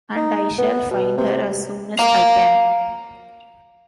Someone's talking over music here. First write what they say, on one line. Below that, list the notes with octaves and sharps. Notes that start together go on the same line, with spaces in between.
And I shall find her as soon as I can.
D#4
B3
B2
C3
F5 A#5